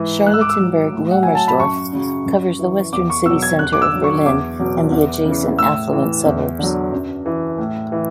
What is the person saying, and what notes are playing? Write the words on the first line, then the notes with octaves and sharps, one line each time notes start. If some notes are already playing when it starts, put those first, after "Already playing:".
Charlottenburg-Wilmersdorf covers the western city centre of Berlin and the adjacent affluent suburbs.
Already playing: G#2 E3
G#2 F#6
E6
D6
E6
F#3
A2
F#5
F#3 G#5
A5
B5
F#2 C#6
C#3 F#3
F#2
E3
E2 D6
C#6
B2 F#3 E6
G#6
E2 F#6
D6
E6
D3 F#3
C#6
E2 D6
B2 F#3
E2
C#3 E3
A2 E6
E3
E2
D3 F#3
F#2
E3
A2
E3